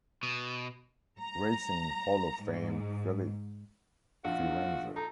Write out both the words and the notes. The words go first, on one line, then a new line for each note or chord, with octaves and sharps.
Racing Hall of Fame filly, Firenze.
B2
A#5
G#2
A#1 F3 F4 F#4
D#4 A4